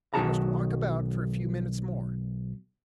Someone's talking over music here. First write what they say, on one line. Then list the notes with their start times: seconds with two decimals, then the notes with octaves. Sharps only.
You must walk about for a few minutes more.
0.14 B1 D#3 F#3 G#4 A5 A#5